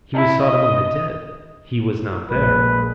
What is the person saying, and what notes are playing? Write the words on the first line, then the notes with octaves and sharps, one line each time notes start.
He was sought among the dead, he was not there.
E4
D#5
A#1 G#3 B4